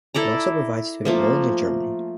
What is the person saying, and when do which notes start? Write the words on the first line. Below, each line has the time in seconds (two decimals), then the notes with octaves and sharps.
It also provides student loans in Germany.
0.14 E4 A4 D5 A#5
1.05 F3 A3 A#3